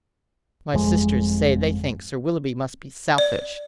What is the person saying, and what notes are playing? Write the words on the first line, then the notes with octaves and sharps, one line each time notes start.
My sisters say they think Sir Willoughby must be selfish.
G1 F2 G#3
D5